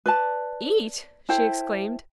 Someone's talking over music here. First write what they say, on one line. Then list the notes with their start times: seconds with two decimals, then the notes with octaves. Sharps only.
"Eat!" she exclaimed.
0.06 B4 D5 A5
1.29 E4 A4 C5 G5